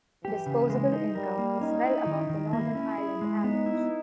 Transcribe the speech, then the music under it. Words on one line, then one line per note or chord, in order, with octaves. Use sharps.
Disposable income is well above the Northern Ireland average.
E3 G4
C#3
G#3
D#4
G3 A#4
A#3
C#4 D#4
E4
D#3
D#3
A#3 E4
C#4
G#4
G#3
B3 D#4
E4